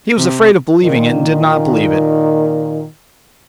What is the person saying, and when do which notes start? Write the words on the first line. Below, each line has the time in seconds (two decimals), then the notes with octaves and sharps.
He was afraid of believing it and did not believe it.
0.16 C3
0.83 A#2 D#3